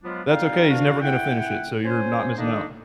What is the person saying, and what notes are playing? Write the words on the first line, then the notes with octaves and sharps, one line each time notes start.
That's okay, he's never gonna finish it, so you're not missing out.
F3 F#3 G#3 B3 D4 F4
G3 C4 D#4 F4 F5
D4 F#4 F5
E4 F#5 G5
C#4 C5 G#5
D3 D#3 A#3 D4 D#4